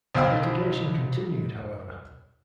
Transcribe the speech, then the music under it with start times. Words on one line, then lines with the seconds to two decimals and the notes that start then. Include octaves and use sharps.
Litigation continued, however.
0.15 B1 B2 C5 F5 G5 E6